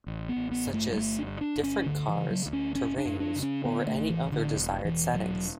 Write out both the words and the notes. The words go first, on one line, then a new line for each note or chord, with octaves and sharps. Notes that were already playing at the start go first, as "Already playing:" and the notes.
Such as; different cars, terrains or any other desired settings.
A1
B3
A1
B3
G2
A3
G3
G1 A3
D4
G2
D4
G1
C#4
D2 D3
E3
C#3
F#3
D2
C#4
F#1 C#4
D4
F#2
D4
C#3
C#4
D3 B3
A3
A1
E3
A1
D3
E1
E1 E3
E1 F#3